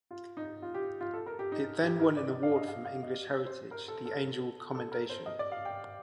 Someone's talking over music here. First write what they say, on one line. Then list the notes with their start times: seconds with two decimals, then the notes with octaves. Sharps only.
It then won an award from English Heritage, the Angel Commendation.
0.11 F4
0.37 D#4
0.62 F4
0.74 G4
1.01 F4
1.14 A4
1.26 A#4
1.39 G4
1.52 D#4
1.83 G4
2.00 A#4
2.17 D5
2.29 D#5
2.43 F5
2.51 D5
2.56 D#5
2.68 F5
2.85 F5
3.03 D#5
3.46 C5
3.71 A#4
3.88 A4
4.05 A4
4.75 A4
4.92 A#4
5.09 C5
5.26 D#5
5.39 D5
5.52 F5
5.65 G5